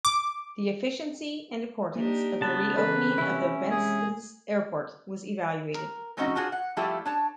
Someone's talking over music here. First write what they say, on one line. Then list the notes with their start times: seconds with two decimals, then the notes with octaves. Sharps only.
The efficiency and importance of the re-opening of the Ventspils Airport was evaluated.
0.05 D6
1.95 A#3 D4 D#4 G4
2.41 C#3 B3 A5
2.77 E3 A#3 B3 A4 B4
3.18 C3 C#4 E4 B5
3.71 G#3 G#4
5.75 A#4
6.17 E3 G#3 C4 C#4 D#4 F#4
6.35 D4 F4 F#4 G#4 C#5
6.52 F#5
6.77 F3 G3 A3 E4 F4 G4
7.05 D4 C#5 A5